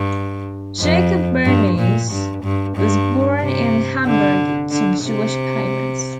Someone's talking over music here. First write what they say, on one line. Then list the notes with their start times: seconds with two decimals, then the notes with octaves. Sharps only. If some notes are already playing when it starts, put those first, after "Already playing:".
Jacob Bernays was born in Hamburg to Jewish parents.
Already playing: G2
0.80 F2
1.45 G2
1.78 A#2
2.11 G2
2.43 G2
2.76 G2
3.41 C3
4.06 D3
4.70 D3
5.03 C3